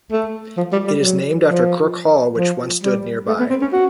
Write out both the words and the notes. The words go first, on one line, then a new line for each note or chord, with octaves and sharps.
It is named after Crook Hall which once stood nearby.
A3
F3
G3
G3
F#3
F3
F3
G3
A3
B3
C4
C#4
F#4